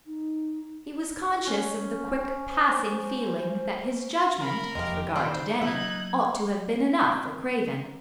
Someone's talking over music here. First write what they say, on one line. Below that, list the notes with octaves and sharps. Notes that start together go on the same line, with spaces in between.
He was conscious of the quick passing feeling that his judgment, with regard to Denny, ought to have been enough for Craven.
D#4
C#4
C5
A#4 B5
E1 F2 G#3 A#3 G4
D#3 G3 C4 F4 C5
F#3 A#3 D#4 E5 F#6 G#6
C4